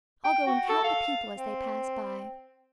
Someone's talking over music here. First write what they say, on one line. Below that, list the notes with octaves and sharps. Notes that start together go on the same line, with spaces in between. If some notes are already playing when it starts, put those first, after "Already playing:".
I'll go and count the people as they pass by.
G5
F#4
A4
F5
C4